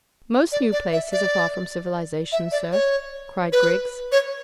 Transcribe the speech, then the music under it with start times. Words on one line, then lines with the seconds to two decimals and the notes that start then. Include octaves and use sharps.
"Most new places are far from civilisation, sir," cried Griggs.
0.52 D5
0.72 D5
0.93 E5
1.12 D5
2.32 E5
2.52 D5
2.72 C#5
3.52 B4
4.12 C#5